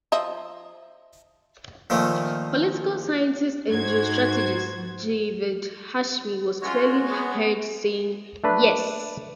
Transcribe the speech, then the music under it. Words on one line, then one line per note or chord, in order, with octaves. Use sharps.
Political scientist and geostrategist Javed Hashmi was clearly heard saying: Yes!
F3 D#5 E5
A#2 D#3 F3 A3
G#2 F#4 C5 G#6
G#3 C#4 F4 F#4 C#5
B3 G#4
A3 D4 B4